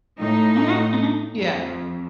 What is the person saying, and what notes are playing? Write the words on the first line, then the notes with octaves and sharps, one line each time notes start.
Mhm, mhm, yeah.
A2 D#4
F2